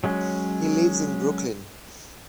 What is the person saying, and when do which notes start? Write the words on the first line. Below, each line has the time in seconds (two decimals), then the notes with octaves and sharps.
He lives in Brooklyn.
0.04 F#3 G#3 C#4